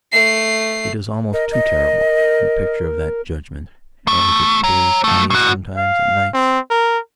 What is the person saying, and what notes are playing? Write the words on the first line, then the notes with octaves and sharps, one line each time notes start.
It is almost too terrible, the picture of that judgement, as it appears to me sometimes, at nights.
A3 C7
A#4 D#5
D#5
E2 A3
C#5 A#5
F3 A3
A2 F#4
F5
C4
A#4